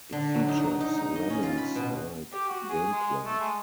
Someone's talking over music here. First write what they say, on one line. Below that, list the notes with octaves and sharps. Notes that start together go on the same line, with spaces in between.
It features "Lemmings"-like gameplay.
D3
F#3
D#4
F#3
D#4
D#4
D#5
C#4
F4
B5
B2
G4
F#4
G#4
G#3
A3
G#3